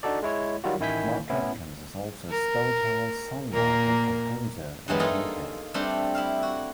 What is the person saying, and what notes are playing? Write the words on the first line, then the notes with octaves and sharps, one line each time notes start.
Mark Atkins is also a storyteller, songwriter, composer and painter.
D4 D#4 F#4 A4 D5
G#3 E4 C#5
D#3 F#3 G3 F4 F#4
A1 D#3 E4 G#5 G6 B6
A2 B3 C#4 E4
A#4
A#2 A#3 A#4
G2 E3 F#3 G#3 B3 D4
A#3 D#4 F4 G#4 A4
G3 A3 C4 D4 G4 A4
E4 E5 F5
F#4